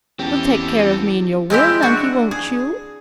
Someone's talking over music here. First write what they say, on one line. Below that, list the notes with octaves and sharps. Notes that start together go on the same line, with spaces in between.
You'll take care of me in your will, Nunkie, won't you?
E2 C4 C#4 G4 A4
G#3 C4 E4 G4
D4 F#4
G#4